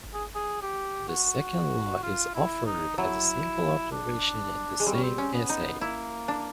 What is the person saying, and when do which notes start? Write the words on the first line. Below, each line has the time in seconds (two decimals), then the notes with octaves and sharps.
The second law is offered as a simple observation in the same essay.
0.14 G#4
0.35 G#4
0.62 G4
1.08 F#4
2.03 F4
2.35 E4
2.66 D#4
2.98 F#3 E4
3.92 D4
4.80 G#3
4.86 G3 C4
4.94 C#4
5.03 C4
5.18 C#4
5.34 B3
5.49 D#4
5.80 A#3 E4
6.28 D4